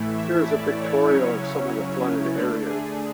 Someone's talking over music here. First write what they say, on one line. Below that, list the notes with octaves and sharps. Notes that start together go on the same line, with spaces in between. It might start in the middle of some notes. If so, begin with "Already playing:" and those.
Here is a pictorial of some of the flooded areas.
Already playing: A2 E3 A3 E4
E5
D5
C#5
C#3 F#3 C#4 E4 C#5
D3 A3 D4 B4
G#4